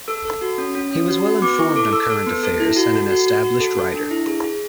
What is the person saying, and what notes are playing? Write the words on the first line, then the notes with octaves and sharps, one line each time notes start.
He was well informed on current affairs and an established writer.
A4 E6
A4
F#4
C#4
C#4
C#4
F#4
F#4
B3 D6
E4 C#6
A4 D6
A4 E6
A4
B3
A4
E4
F#4
A4
F#4
F#4
F#4
A4
A4
D4
E4
G#4
G#4